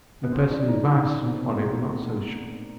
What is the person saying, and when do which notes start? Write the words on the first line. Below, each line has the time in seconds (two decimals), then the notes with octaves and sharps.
A person whose vices and follies are not sociable.
0.23 B3
0.32 C4
0.42 C#4
0.49 F3 D4
0.68 D#4
0.85 F3 D#4
1.04 D4
1.21 A#2 C4
1.39 B3
1.50 B3
1.56 A#2 A#3
1.67 A#3
1.74 A3